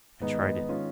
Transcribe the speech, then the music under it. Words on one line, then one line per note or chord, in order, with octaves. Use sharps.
I tried it.
G#2 D#3 G#3 B3 D#4
D#3 G#3 C#4 F4